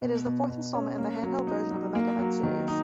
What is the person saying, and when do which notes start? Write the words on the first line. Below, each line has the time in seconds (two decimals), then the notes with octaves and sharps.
It is the fourth installment in the handheld version of the "Mega Man" series.
0.02 B2
0.25 B2
0.50 B2
0.75 C#4
0.98 A#3
1.23 F#3
1.47 D#4
1.70 F#3
1.95 A#3
2.19 F#3
2.43 D#3
2.68 D#4